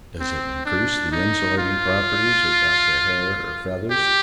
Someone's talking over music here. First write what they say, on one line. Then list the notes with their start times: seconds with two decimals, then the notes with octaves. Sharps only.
Does it increase the insulating properties of the hair or feathers?
0.20 C4
0.65 D4
1.12 D#4
1.58 F4
3.90 G4